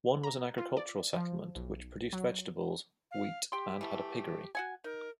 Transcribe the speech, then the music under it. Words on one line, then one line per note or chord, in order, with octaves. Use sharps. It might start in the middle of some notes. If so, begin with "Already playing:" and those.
One was an agricultural settlement, which produced vegetables, wheat, and had a piggery.
A#5
F4
D5
F3
B1
F#3
F5
G4 G5 C6
E3 A3
F#4 F#5 G#5
D#4 A#4